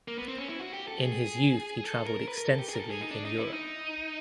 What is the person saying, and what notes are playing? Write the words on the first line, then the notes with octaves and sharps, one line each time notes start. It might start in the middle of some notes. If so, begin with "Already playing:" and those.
In his youth he travelled extensively in Europe.
A#3
B3
C4
C#4
E4
F#4
G4
A4
G#4
A4
A#4
B4
A#4
A4
G4
G#4
A#4
A4
G#4
D#4
D4
D#4
E4
D#4